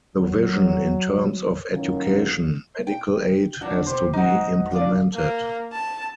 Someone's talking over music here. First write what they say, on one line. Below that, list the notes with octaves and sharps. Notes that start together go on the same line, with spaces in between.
The vision in terms of education, medical aid has to be implemented.
F#3
A2 D#3 F#3 A#3 C#4 F4
G5
F#3 D4 F#4
C3 C5
G#2 D#4 F#4
D4 F4 D5
A#3
A5